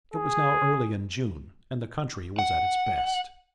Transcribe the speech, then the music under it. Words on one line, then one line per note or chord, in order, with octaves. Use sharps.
It was now early in June, and the country was at its best.
G#4
F#5